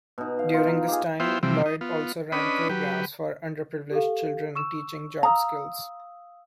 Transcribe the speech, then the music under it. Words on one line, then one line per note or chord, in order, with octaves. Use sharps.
During this time, Lloyd also ran programs for underprivileged children teaching job skills.
B2 D#4
F5
D#4 F4
D#4 A#5
G4 G#4
B3 E4 F4 C5 G5
C3 E3 F3 G3 C4
D#4
B3 F4
C#4 D4 B4 D#5 B5
F#3 G4 B4
G4 A4 F5
C#6 E6 E7
F5 A#5 D#6 E6